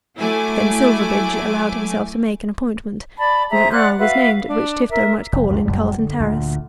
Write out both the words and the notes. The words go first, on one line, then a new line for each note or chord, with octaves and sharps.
Then Silverbridge allowed himself to make an appointment, and an hour was named at which Tifto might call in Carlton Terrace.
F#3 A3 E4 G#5 D6
D5 A5 B5
G#4 C5 E5 A#5
D5 F#5 C6 F#6
F#4 B4 E5 F5
D4
A#4 E5
F1
C#2 F#2 A#2
F#1 F#2 A#2 G3
D3
D2 A#2 D3